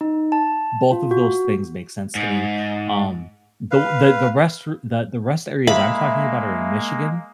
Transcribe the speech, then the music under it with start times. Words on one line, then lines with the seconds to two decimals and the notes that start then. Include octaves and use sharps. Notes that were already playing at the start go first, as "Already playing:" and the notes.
both of those things make sense to me. Um, th the rest the the rest areas I'm talking about are in Michigan,
0.01 D#4
0.32 A5
0.92 F4
1.11 F#4
2.15 G#2
3.71 B4 F5
5.67 G#3 A#3 E5 F5 B5